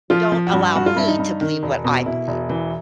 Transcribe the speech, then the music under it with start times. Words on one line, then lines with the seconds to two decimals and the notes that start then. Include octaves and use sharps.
don't allow me to believe what I believe,
0.10 F3 F4
0.32 F3
0.47 F#4
0.53 G2
0.61 F#4
0.75 G2 F#4
0.86 F4
0.97 G2 E4
1.08 D#4
1.19 G2
1.41 D#3
1.63 E1
1.84 B2
2.06 B2 E4
2.28 E1
2.50 E3